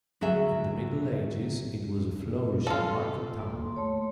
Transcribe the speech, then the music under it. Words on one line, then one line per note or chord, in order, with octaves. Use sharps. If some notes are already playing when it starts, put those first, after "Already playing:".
In the Middle Ages it was a flourishing market town.
D2 F#3 F#4 G#4 E5
F4 A4
A#3 C6
A3 C#5